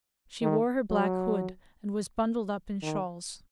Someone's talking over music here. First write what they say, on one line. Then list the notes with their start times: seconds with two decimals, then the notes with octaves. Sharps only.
She wore her black hood and was bundled up in shawls.
0.42 D#3
0.90 F#3
2.83 D#3